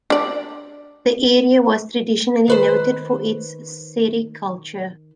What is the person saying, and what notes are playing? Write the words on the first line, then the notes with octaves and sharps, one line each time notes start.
The area was traditionally noted for its sericulture.
D4 D5
D#3 B4 C5